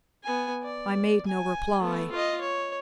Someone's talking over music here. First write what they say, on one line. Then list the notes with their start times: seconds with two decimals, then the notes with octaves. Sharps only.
I made no reply.
0.24 B3 G#5
0.63 D5
1.27 G#5
1.80 A3 B3
2.12 F4 D#5
2.41 C#5